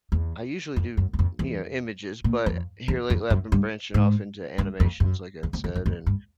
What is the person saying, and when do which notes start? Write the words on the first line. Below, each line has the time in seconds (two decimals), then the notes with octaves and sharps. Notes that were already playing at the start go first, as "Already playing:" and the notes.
I usually do, you know, images, but here lately, I've been branching off into animations, like I'd said, and,
0.12 E2
0.76 F2
0.97 F#2
1.13 E2
1.19 F2
1.39 E2
2.24 A#2
2.46 F2
2.88 E2
3.10 F2
3.30 F#2
3.52 G2
3.94 G#2
4.58 G2
4.80 F2
5.00 F#2
5.43 E2
5.53 F2
5.64 E2
5.76 F2
5.86 F2
6.06 G2